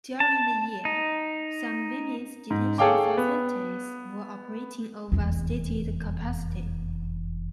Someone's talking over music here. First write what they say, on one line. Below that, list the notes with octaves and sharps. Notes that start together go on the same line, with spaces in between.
During the year, some women's detention facilities were operating over stated capacity.
A5
D#4
G#2
G#4 A4 C#5 F5 G5 D6
B3
F1 E2